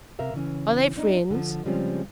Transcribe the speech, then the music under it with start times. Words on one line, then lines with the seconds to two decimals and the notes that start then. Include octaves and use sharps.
"Are they friends?"
0.19 C3 A#4 E5 F5
0.34 C#3 E3 C#4
0.96 C4 D4 D#4
1.30 D3 F3
1.65 C#3 F3 G3 G#3 C4 C#4